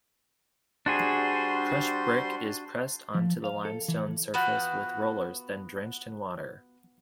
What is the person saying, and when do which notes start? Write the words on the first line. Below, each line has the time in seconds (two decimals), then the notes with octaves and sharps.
Crushed brick is pressed onto the limestone surface with rollers, then drenched in water.
0.86 G3 D4 F#4 G#4 C5 C6
3.15 F3
3.44 F5
3.65 A4
3.88 E3
4.34 B3 F4 F#4 G5